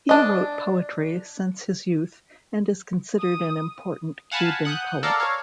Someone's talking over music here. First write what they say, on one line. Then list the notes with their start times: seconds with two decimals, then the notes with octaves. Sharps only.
He wrote poetry since his youth and is considered an important Cuban poet.
0.09 D4 D#5
3.20 D#6
4.31 F5 F#5 G#5 A5 B5
4.65 F#5 D#6 F#6 G6
5.03 A4 A#4 D5 F5 A5 A#5
5.20 C#5 F5